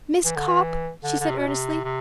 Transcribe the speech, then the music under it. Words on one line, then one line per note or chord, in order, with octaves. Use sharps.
"Miss Copp," she said earnestly.
E3
D3
E3
D3
D3
C3
B2
C3
C3